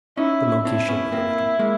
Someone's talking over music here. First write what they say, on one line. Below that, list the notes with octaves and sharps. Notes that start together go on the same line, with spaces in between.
The monkey shivered a little.
C#4 D#4 E4
C4 D4 E4
B3 C#4
A#3 C4
G#3 A#3